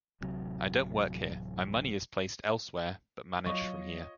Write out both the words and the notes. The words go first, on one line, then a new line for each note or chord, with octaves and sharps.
I don't work here, my money is placed elsewhere, but managed from here.
D1 A1 C3 F#3
F#3 F4 C#5 D#5 C#6